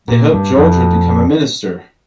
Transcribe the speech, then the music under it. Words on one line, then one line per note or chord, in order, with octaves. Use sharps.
They hoped George would become a minister.
A#2
G2
F2